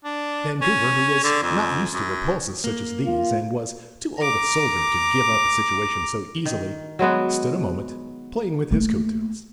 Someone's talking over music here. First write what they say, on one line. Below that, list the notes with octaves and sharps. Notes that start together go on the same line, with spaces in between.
Vancouver, who was not used to repulses such as these, and was too old a soldier to give up a situation so easily, stood a moment playing with his coat tails.
D4
C#4
D3
F2
F#2
A#3
F4
A#5 D6
D#3
F#3 G#3 B3 F#4
A3 A#3